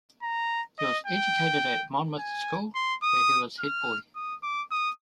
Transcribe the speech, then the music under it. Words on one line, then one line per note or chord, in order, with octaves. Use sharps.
He was educated at Monmouth School, where he was head boy.
A#5
D#5
G5
G#5
C6
D#6
F6
D#6
D6
D#6